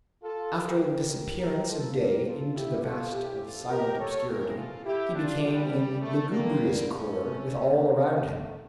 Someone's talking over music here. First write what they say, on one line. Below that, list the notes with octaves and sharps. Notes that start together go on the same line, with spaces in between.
After the disappearance of day into the vast of silent obscurity, he became in lugubrious accord with all around him.
F4 A4
G4 A#4
D2 C#3 E3
G4 A#4
F4 A4
G2 D3 G4 A#4
F4 A4
E4 G4
F4 A4
D2 C#3 E3 E4 G4
F4 A4
G4 A#4
A4 C#5
F2 C#3 E3 G4 A#4
F4 A4
E4 G4
D4 F4
E2 E3 G3
A3
G3 A#3
G2 D3
A3 C#4
G2 D3 G3 A#3
A3